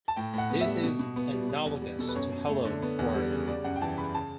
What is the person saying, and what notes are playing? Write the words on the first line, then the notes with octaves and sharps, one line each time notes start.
This is analogous to Hello, World!
A5
A2 G5
A2 F#5
B3
E5
G3
B2
B2
B3
G3
B3
E2
G3
B2 A4
B4
F#2 C#5
F#2
A3
D3
B3
E2
G3
C#3
G3 D5
F#2 F#5
G5
E3 A5
C#3 B5
C#3 A5